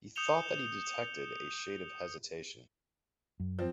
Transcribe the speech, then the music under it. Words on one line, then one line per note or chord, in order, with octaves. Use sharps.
He thought that he detected a shade of hesitation.
D#6 G6 C#7 E7 F7 G7
F#2
F3 C4